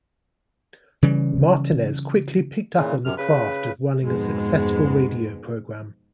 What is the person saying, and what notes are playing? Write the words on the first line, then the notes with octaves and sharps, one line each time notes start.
Martinez quickly picked up on the craft of running a successful radio program.
C#3 E3 G3
A#2 C#3 E3
F#2 C3 F6
C#3 B4
F2 G#2 B2 G#3